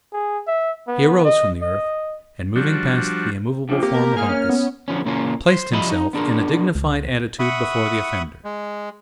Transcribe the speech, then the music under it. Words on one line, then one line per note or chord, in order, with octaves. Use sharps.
He arose from the earth, and moving past the immovable form of Uncas, placed himself in a dignified attitude before the offender.
G#4
E5
B3
D#5
D#5
F3 G3 D4 F#4
F2 D3 F3
C3 A#3 G4
A#4
D#4 F4 G#4 F6
C#4
B3
D3 F3 B3 C#4
A#2 C#3 E3 A#3 C#4 F4
C5
F3 G3 F4 D#5 E5 B5
D#4
B3 D4 G#4 A#4
C#2
E5 F#5 B5 C#6 D#6
G#3